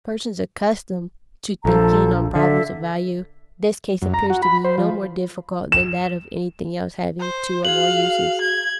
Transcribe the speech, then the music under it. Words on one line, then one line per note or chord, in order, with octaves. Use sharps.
To persons accustomed to thinking on problems of value, this case appears to be no more difficult than that of anything else having two or more uses.
A#1 F3 A4 C5 A#5
D3 A4 E5 F5
F#2
A#5
F#4
B5
C5
F3
E7
C5
F#4 G#4 F5 F#7
G#6